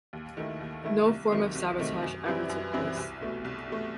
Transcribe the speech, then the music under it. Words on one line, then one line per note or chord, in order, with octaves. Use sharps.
No form of sabotage ever took place.
D#2
D#3 A3 E4
D#2
D#3 A3 E4
C2
C3 D#3 F#3 A3
C2
C3 D#3 F#3 A3
F#2
E3 G3 C4 E4
F#2
E3 G3 C4 E4
C2
B2 A3
C2
B2 A3